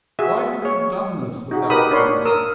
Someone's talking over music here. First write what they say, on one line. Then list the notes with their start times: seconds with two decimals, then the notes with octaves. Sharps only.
Why have you done this without permission?
0.19 F#4 G#4 E5
0.62 G#4 C#5
1.51 D#4 F#4 G#4
1.70 G4 A#4 B4 D#5 B5 D#6
1.91 D4 A#4 C#5 B5 C6
2.25 A#4 D#6 E6